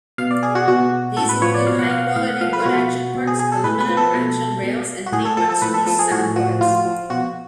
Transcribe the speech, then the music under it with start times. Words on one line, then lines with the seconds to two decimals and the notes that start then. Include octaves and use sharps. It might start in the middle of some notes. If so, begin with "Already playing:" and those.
These include high quality wood action parts, aluminum action rails, and tapered spruce soundboards.
0.18 B2 F5
0.31 D5
0.43 G#4
0.55 F#4
0.68 B2 F#4
1.17 A2 A4
1.29 B4
1.42 F3 C#5
1.54 D5
1.67 B2 F5
1.79 F#5
1.91 F5
2.03 F#5
2.16 A2 F5
2.28 F#5
2.41 F3 F5
2.53 B4
2.60 F4
2.65 B2 F#4
3.15 B2
3.27 G#4
3.39 G#4
3.52 A4
3.64 A2 B4
3.80 B4
3.89 F3
3.97 A4
4.14 B2
4.63 B2
5.06 F#4
5.12 A2 G#4
5.25 A4
5.37 F3 A4
5.49 A4
5.62 A2 B4
5.74 A4
5.86 F3 A4
5.99 G#4
6.11 A2 F#4
6.36 F3 F#4
6.61 A2 F4
6.85 F3
7.10 B2 F#4